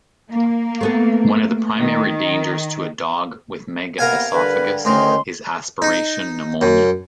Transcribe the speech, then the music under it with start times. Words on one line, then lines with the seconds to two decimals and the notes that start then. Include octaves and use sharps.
One of the primary dangers to a dog with megaesophagus is aspiration pneumonia.
0.31 A#3
0.81 A3 B3 A4
1.77 D#3
3.99 C3 A#3 B3 A#4 F5 G#5
4.33 D3 G3 B4
4.85 A1 D2 D#3 C#4 C6
5.82 D#4
6.61 F#2